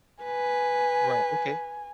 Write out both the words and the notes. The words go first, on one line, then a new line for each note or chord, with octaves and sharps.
Right, okay,
B4 G#5